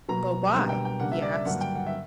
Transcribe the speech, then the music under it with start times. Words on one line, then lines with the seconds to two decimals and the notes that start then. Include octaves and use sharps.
"But why?" he asked.
0.08 B2 F#3 A#3 A#5
0.54 B2 G3 A#3 D4 A#5
0.69 G5
0.85 G5
0.99 C#3 G3 A#3 D4 F#5
1.12 E5
1.22 D5
1.34 E5
1.45 G2 D3 F#3 A#3 D4 F#5
1.61 G5
1.75 F#5
1.86 E5